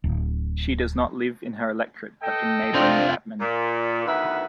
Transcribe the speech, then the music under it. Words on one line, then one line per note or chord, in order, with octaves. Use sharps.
She does not live in her electorate but in neighbouring Batman.
D1
A4 D#5 G5
C3 D4 F4 C5 D5
A#2
D2 D#3 B3 E4 B4